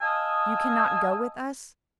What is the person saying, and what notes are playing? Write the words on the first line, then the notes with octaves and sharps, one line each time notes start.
"You cannot go with us!"
D#5 F5 G#5 A5 D#6 E6